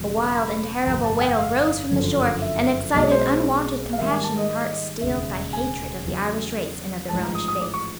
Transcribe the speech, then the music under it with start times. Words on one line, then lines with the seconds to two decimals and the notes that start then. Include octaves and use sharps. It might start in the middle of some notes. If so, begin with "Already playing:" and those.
A wild and terrible wail rose from the shore, and excited unwonted compassion in hearts steeled by hatred of the Irish race and of the Romish faith.
Already playing: E1 E2 C#3 F#3
0.30 C6
0.35 B5
0.86 G1 F2 C3 A#5
1.04 A5
1.21 G5
1.38 F5
1.91 G1 F#2 D3 F3
2.42 E5
2.94 B1 B2 G#3 D#5
3.03 C#5
3.11 C5
3.29 C5
3.93 F5
3.98 G#2 D#3 G3 A#3 E5
4.11 G#5
4.23 A5
4.37 D#5
5.01 E1 D#2 C#3 E5
5.53 G#5
6.05 E2 C#3 F#3
7.09 A1 G#2 F3 A5
7.22 A#5
7.35 D#6
7.48 D#6
7.60 D6
7.74 C#6